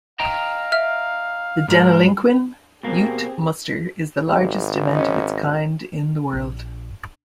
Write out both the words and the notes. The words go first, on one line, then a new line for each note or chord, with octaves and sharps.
The Deniliquin Ute Muster is the largest event of its kind in the world.
D#5 F5 G5 A#5
E5 F6
G#2 G#3 F4 A#4
B2 A#3 C4 G4 G#4
G#1 G3
C#4 D#4
A#1